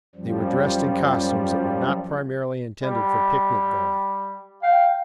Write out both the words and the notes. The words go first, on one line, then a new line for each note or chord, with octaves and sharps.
They were dressed in costumes that were not primarily intended for picnic going.
F#2 F3 G3
G3
F5 G5